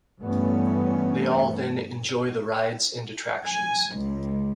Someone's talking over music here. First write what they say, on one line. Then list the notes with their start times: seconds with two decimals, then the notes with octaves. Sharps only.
They all then enjoy the rides and attractions.
0.20 G2 E3 A3 B3 C#4
3.46 G#5
3.96 C#2